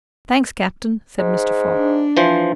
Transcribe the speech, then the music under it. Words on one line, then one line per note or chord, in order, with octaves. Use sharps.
"Thanks, captain," said Mr. Fogg.
G#2
D4
E3 F3 C5